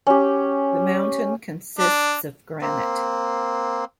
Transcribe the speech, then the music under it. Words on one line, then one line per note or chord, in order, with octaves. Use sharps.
The mountain consists of granite.
C#4 G4
D4
A#3 C4